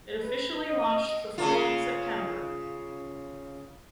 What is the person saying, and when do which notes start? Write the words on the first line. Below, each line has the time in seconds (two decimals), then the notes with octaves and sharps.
It officially launched the following September.
0.20 B4
0.64 D#5
1.38 C#3 F4